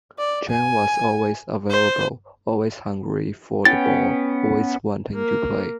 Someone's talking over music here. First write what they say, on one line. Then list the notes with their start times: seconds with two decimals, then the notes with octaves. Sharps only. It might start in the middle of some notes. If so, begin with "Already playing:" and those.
John was always available, always hungry for the ball, always wanting to play.
0.19 D5
0.50 G#5
1.70 C5
3.65 B3 C#4 G5 A6
5.15 A#3